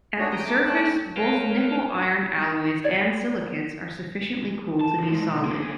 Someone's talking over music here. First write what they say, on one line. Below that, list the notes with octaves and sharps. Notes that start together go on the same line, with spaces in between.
At the surface both nickel-iron alloys and silicates are sufficiently cool to be solid.
A3 D4 F#4 G#4 C#5
G5 A#5 D#6 G6
A4 E5 A#5 D6
A3 C#4 D4 G5 A5 F#6
A#4 B4 C#5 F5 G5 A5
C#5 D5
A5
E3 F4
G#3 A#3
B1
A#3 D4
D3 G#4